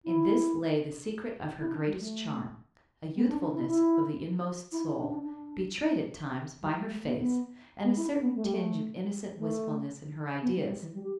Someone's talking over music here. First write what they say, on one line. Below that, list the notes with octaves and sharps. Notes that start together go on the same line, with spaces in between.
In this lay the secret of her greatest charm, a youthfulness of the inmost soul, betrayed at times by her face, and a certain tinge of innocent wistfulness in her ideas.
E4
E4
D4
G3
A3
B3
D4
D4
E4
E4
E4
E4
D4
D4
D4
G3
G3
A3
B3
B3
B3
E4
D4
B3
A3
G3
A3
A3
B3
G3
G3
E3
G3
G4